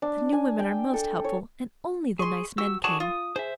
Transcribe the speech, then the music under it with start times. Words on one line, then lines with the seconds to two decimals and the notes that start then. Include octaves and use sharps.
The new women are most helpful, and only the nice men came.
0.02 D4
0.33 G#5
0.59 G5
0.94 A4
1.24 C#5
2.19 G#4 C6 C#6
2.58 F#4 G4 E6
2.84 D3 F#4 G#4 D5 A5 C#6
3.00 F4 D#6
3.36 G#4 C5 E5